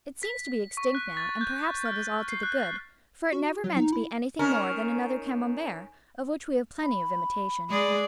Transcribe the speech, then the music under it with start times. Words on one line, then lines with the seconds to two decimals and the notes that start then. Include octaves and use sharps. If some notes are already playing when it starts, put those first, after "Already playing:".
It seems to be extinct now, and perhaps that is all to the good, for it never meant to be anything more than another Camembert, of which we have plenty of imitation.
0.23 B6
0.77 C#6
0.95 F#6
1.17 A6
1.41 G6
1.85 F6
2.29 C7
2.43 F#6
3.32 F#4
3.64 F#3
3.77 D#4
3.93 E4
4.39 D#3 C#4 A#4
6.82 B5
7.70 G#3 G#4 D5